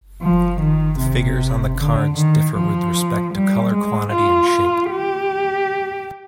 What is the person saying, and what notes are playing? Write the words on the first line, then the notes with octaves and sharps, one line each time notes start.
The figures on the cards differ with respect to color, quantity, and shape.
F3
D#3
C3
D3
D#3
F3
G3
G#3
F4
G4